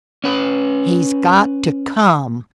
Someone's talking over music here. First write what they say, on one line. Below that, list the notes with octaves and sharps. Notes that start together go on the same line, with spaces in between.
"He's got to come!"
C#4 B4